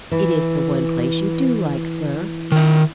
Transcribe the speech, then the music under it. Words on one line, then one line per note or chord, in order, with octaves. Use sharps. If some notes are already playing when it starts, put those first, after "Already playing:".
"It is the one place you do like, sir."
E3
D#3 E5